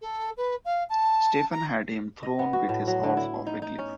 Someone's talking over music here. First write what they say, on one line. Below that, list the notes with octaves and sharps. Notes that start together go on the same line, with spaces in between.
Stephen had him thrown with his horse off a cliff.
A4
B4
F5
A5
A#5
D#5
B3
F#4
A2
F#3
D3
E4
D#4
D#4
C#4